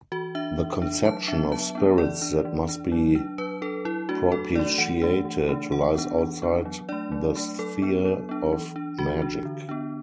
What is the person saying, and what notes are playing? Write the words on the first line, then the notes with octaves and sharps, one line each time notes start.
The conception of spirits that must be propitiated lies outside the sphere of magic.
E3 F#4
D4 E5
E3
D4
F#3 A5
B3 D4 E5
F#3 A5
B3 D4
E3 D5
D4
E3
D4
F#3
D4
F#3 B4
D4 A4
F#3 E4
A3 D4 F#4
F#3 A4
A3 D4 D5
E3 F#5
A3 D4
E3
A3 D4
E3 F#5
B3 D4
E3
B3 D4
F#3
A3 D4 D5
F#3
A3 D4
F#3 A4
B3 D4
F#3
B3 D4
E3
D4
E3 F#4
D4
D3
B3 D4